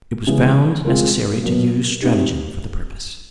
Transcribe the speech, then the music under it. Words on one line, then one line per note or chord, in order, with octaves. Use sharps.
It was found necessary to use stratagem for the purpose.
C#3 E3 G#3 B3
G#3 C4 F4 A#4
B2 F#3 A#3
A3 C4 D#4 G4